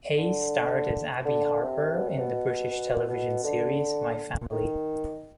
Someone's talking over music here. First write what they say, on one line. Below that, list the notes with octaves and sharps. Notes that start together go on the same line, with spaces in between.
Hayes starred as Abi Harper in the British television series "My Family".
D3
D3
C3
B2
C3
B2
B2
B2
D3
D#3